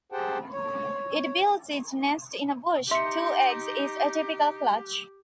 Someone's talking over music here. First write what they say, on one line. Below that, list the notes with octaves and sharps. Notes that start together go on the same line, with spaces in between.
It builds its nest in a bush; two eggs is a typical clutch.
G4 G#4 C5 F#5 G5 A5
C#5
D#4 G4 E5 C6 C#7